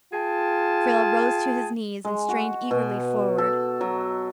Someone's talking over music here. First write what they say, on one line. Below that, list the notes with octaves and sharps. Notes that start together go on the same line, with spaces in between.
Frale rose to his knees and strained eagerly forward.
F4 G#4 G5 A5
G#3
F#4
B2
A4
F#3